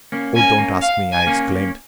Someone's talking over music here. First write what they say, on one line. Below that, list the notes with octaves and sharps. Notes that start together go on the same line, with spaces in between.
"Oh, don't ask me!" I exclaimed.
A#3 C#4
A#3 C#4 G#5
A#3 C#4
F5
G#5
A#3 C#4